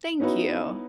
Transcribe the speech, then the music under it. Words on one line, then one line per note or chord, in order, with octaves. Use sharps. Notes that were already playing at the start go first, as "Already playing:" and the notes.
Thank you.
B3 C#4 D#4 E4 F#4 B4